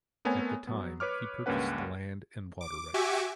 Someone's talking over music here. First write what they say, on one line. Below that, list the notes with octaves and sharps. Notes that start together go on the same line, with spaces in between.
At the time he purchased the land and water rights.
A3 B3 C4 A#4 C#5 G#5
F#3 B3
B4 C#5 D6 F6
C#2 G2 A#3 C#4 B4 F#5
D6
F#4 G4 E5 G#5 C#6 D6